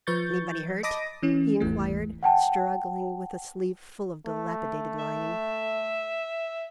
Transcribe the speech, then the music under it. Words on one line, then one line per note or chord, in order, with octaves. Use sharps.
"Anybody hurt?" he inquired, struggling with a sleeve full of dilapidated lining.
F3 B4 C#6 G6 A6
D#5 A5 B5 D6 D#6 A#6
E3 C#4
G#1 E2 E3 A3
F#5 G5 A5
A3
E5